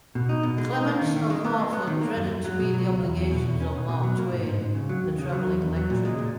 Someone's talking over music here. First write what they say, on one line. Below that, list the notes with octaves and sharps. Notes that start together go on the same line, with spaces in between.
Clemens of Hartford dreaded to meet the obligations of Mark Twain, the traveling lecturer.
B2
D#4
B2
G#3
D#4
A#3
D#3
D#3
G#3
B3
G#3
B3
D#3
A#3
F#2
F#2
F#3
B2
F#3
C#2
E2
E2
B2
E2
C#4
B2
B2
F#3
A#3
G#2
G#2
G#2
C#3
F#3
D#2
C#3
F#3
E2
E2
F#3
A#2
G#3
A#2